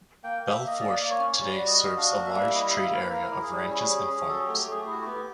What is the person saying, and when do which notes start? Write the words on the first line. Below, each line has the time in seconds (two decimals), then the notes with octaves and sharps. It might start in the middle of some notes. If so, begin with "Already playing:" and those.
Belle Fourche today serves a large trade area of ranches and farms.
0.24 A#3 G5
0.43 A#3
0.51 E5
0.62 A#3
0.67 D#5
0.81 A#3 D5
1.00 A#3
1.10 C#5
1.19 C#4
1.39 G3 D5
1.58 F#4
1.67 D#5
1.77 F#4
1.97 D4 F5
2.16 A#3
2.26 E5
2.36 G3
2.54 E4 D#5
2.69 A#3 E5
2.84 F5
2.93 E4 B4
3.12 E4 A#4
3.32 E4
3.41 G#4
3.52 G3
3.70 C#4
3.89 C#4
4.09 C#4
4.28 F#3 A4
4.43 G4
4.48 A3
4.57 G4
4.67 A3 G#4
4.81 G4
4.86 E4 F#4
5.01 B3 G4